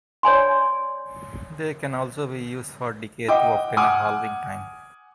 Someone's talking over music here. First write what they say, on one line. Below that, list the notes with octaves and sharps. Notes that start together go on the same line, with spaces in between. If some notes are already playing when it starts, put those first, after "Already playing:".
They can also be used for decay to obtain a halving time.
C#5 D5 G#5 C6
D#5 F#5 G5 D6
F#5 G#5 D6 D#6 F6